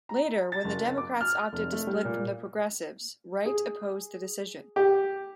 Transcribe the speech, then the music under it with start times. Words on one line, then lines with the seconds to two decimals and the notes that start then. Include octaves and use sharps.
Later, when the Democrats opted to split from the Progressives, Wright opposed the decision.
0.09 A#5
0.52 A6
0.65 F#1
0.98 D6
1.21 F6
1.53 F1
1.73 A3
1.87 G3
2.05 A#2
3.46 G#4
4.76 G4